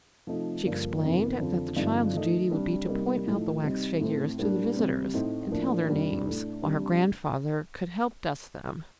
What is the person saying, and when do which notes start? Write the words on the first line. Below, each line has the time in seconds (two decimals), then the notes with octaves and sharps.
She explained that the child's duty would be to point out the wax figures to the visitors and tell their names, while her grandfather could help dust them.
0.27 C3 F3 A3 D#4
0.65 G2 D3 F3 A#3
1.02 F2 C3 D#3 A#3
1.39 F2 D3 F3 C4
1.76 G2 D3 F3 C4 D#4
2.14 D#3 A3 D#4
2.51 C3 G3 D4
2.89 C3 G3 A#3 D#4
3.27 A2 F3 A3 D#4
3.64 C3 G3 C4 D#4
4.00 A2 A3 C4
4.38 A2 G3 A#3 D4
4.75 C3 G3 C4
5.13 A2 A3 C4 D#4
5.50 A2 F3 A#3 D4
5.88 F2 C3 G3 D4
6.26 A2 A3 D4
6.62 C3 G3 D4